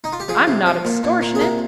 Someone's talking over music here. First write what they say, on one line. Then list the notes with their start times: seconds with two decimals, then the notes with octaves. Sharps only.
I'm not extortionate.
0.04 D#4
0.13 F4
0.20 G4
0.28 F3 G#4
0.47 C3
0.66 F3
0.85 A#2
1.03 A#2
1.21 A#2
1.35 G#4
1.40 C3 A#4